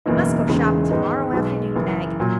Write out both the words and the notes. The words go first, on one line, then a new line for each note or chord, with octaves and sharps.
We must go shopping tomorrow afternoon, Meg.
F#1 E2 B2 A#3 D#4
E1 E2 C#3 G#3 D#4
G#2 D#3 G#3 B3 D#4
B1 B2 G#3
F#1 F#2 E3
A#2 F#3